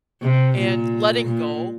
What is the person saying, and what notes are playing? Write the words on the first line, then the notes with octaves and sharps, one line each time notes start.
and letting go
C3
A#2
A#2